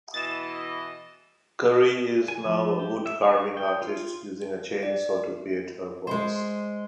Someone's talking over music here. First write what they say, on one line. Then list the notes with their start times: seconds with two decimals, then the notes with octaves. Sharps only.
Currie is now a wood-carving artist using a chainsaw to create her works.
0.14 B2 E3 D#5 A6 E7
2.28 G#5
2.45 F3
2.79 G4
3.06 E5
3.23 C#6
3.57 G5
3.82 F4
4.83 D5
6.07 G#3 C5